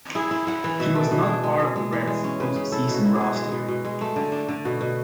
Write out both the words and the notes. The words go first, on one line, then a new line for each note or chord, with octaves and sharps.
He was not part of the Reds' post-season roster.
E4 G#4
E4
E4 F#5
E3
B2 E5
A3
D5
B2
D4 G#4
G#3
G#3
G#3
E3
G#3
C#4
C#3 B4
C#3
E4 A4
B2
F#4
E4
G#4
B2
G#3
B2
B2
G#3
A3
D3
D4
D3
B2 F#4
B2